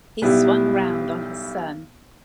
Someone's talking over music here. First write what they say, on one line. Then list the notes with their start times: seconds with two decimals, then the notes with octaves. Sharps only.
He swung round on his son.
0.22 B1 G3 B3 E4